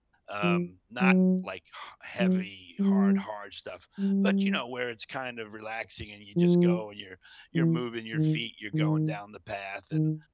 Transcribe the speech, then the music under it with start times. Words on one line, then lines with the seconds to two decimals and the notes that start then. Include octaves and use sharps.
um, not like ha heavy, hard, hard stuff, but, you know, where it's kind of relaxing and you just go and you're you're moving your feet, you're going down the path and
0.43 F3
1.01 F#3
2.20 F#3
2.79 G3
3.99 G3
6.36 F3
7.55 E3
8.14 D#3
8.74 D#3
9.92 D#3